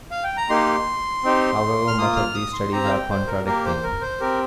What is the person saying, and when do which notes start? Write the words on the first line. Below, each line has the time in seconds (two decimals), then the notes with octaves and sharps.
However, much of these studies are contradicting.
0.11 F5
0.24 G5
0.37 A#5
0.50 A#3 D#4 G4 C6
1.24 C4 D#4 G4
1.88 F6
1.98 A#3 F4 D#6
2.16 F6
2.34 D#6
2.53 C6
2.72 C4 G4 A#5
2.84 F5
2.90 G5
3.10 C5
3.27 A#4
3.46 A#3 G4 A#4
3.65 C5
3.83 A#4
4.01 C5
4.20 C4 G4 A#4